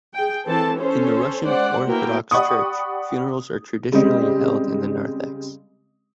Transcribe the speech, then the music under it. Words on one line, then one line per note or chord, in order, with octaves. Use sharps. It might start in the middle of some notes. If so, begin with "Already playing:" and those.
In the Russian Orthodox Church funerals are traditionally held in the narthex.
G#4 G5
E3 C4 A4 A5
C#4 A4 C5
G#3 C#4 C5 D5 F#5
A#3 B3 E4 F#4 A#4 G5
G4 D5 F#5 B5 C#6 D#6
C#3 G3 G#3 C4 G4 D#5